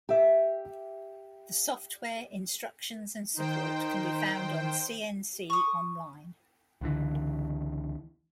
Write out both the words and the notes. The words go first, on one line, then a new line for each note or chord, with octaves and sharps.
The software, instructions and support can be found on CnC Online.
G4 E5
D#3 D#4 C5 G5
C#6 D#6
C#2 D3 E3